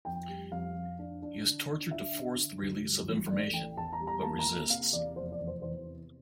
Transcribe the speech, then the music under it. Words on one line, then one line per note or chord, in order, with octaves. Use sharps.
He is tortured to force the release of information, but resists.
F2 G5
G3
F2 F5
F2
D4
D4
D3
D4
D3 E5
D4
D3
D2
G2
A1
A3 D5
A1 G5
E2 A5
A#5
G3
A#5
A#3 A5
A#5
A#3
C3 F5
E2 D5
F1 C5
D5
E2
C5
E3 C5
C3